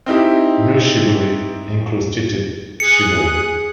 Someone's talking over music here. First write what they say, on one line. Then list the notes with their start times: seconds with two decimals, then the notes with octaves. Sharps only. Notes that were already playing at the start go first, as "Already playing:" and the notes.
Nui shibori includes stitched shibori.
0.06 C4 D#4 E4 G4
2.80 G#4 D#6 F#6 C#7